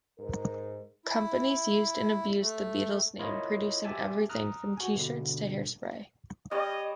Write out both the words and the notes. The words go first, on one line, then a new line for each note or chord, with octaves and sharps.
Companies used and abused the Beatles' name, producing everything from T-shirts to hairspray.
G#2 A#4
E4
A3
E4 F4 A#4 C#5 D#5
G4 E5 G#5 A5
A#5 D#6 F6 F#6
F#4 G#5
G2 B2 D3
G3 C#5 D#5 D#6